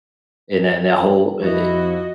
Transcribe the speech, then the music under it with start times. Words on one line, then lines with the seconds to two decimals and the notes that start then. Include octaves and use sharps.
in that that whole, eh eh
1.41 F2 F3 E4 F#4 D#5